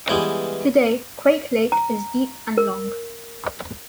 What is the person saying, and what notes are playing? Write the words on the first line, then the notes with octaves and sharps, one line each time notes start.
Today, Quake Lake is deep and long.
E3 G3 G#3 B3 E4
A#5
A#4